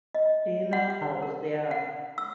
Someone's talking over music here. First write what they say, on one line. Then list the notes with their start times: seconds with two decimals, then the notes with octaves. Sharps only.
she knows, yeah.
0.15 D#5
0.73 F#5
0.90 F#5
1.22 A#4
1.71 F#5
2.18 E6